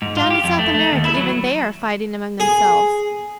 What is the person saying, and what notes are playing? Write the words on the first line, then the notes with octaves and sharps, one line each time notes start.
Down in South America even they are fighting among themselves!
G#2
F4
G4
F2
A3
A3
D#2
E4
F#3
G#4